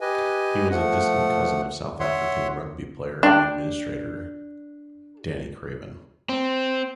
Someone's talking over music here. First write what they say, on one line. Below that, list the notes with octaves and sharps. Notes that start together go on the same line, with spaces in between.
He was a distant cousin of South African rugby player and administrator Danie Craven.
G4 B4 D#5 G#5
F3 A3 F#5
C#5 E5 F#5 C6
D4 G5
C4